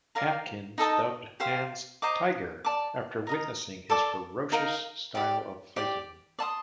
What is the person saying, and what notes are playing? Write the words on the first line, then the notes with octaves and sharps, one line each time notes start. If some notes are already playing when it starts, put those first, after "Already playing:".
Atkins dubbed Hans "Tiger" after witnessing his ferocious style of fighting.
A#4 D5 F5 A#5
D#4 A4 D#5 A5
G4 C5 F5
C5 D#5 A#5 D6
D5 A5 D6
A#4 D#5 A#5
A4 D5 A5 D6
D#4 A#4 F5
G4 D5 G5
G4 D5 G5
D5 A5 C6 D#6